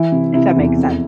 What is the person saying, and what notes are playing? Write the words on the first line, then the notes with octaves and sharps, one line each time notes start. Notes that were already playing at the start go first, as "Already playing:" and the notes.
if that makes sen
Already playing: E3 E4
C3
C3 E4
E2
F2